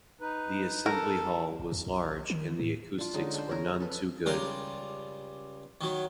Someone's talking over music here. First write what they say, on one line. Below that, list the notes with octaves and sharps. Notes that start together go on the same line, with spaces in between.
The assembly hall was large and the acoustics were none too good.
D#4 B4
A4 A#4
F#1
E2
B1
D#3
A2
D4 F4
D3 G#3 C#4 D#4
D4 C5
C#4 G#4 A#4 A#5
A4 B4
C#2 G3 A#5 C6
D#3 F#3